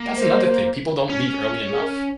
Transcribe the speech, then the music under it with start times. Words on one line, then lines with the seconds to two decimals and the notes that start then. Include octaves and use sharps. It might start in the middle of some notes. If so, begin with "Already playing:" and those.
That's another thing, people don't leave early enough,
Already playing: A#3
0.16 C5
1.09 C#4
1.70 G#4
1.80 A#4